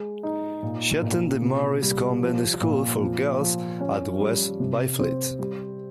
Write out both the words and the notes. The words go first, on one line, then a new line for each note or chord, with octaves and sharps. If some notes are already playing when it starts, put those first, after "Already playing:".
She attended the Marist Convent School for Girls at West Byfleet.
Already playing: G#3
D#4
A#2
A#2
C3
G3
F3
A#2
F3
F3
C#4
G3
C3
C4
G3